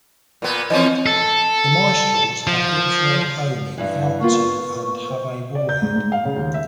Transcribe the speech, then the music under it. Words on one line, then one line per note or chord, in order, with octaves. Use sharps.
The Mistrals have infrared homing out to and have a warhead.
A#2 B3
E3 F3 C4 C#4 D#5
A4
F3
G2 E3
A#3 B3 F4 C#6
C5
D5
G6
G#2
G#2
F5
C#3
D#2
E5